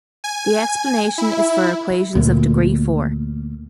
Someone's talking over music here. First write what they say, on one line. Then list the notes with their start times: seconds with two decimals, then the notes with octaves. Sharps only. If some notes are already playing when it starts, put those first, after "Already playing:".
The explanation is for equations of degree four.
0.24 G#5
1.18 E4
2.15 D2 A#2